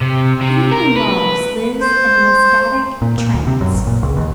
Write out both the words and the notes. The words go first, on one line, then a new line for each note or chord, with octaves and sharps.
He who loves lives in an ecstatic trance.
C3
C3
A#4
B4
C5
A#2
A#2
D2
C3
F#2
A1
A#2
C#2
D#2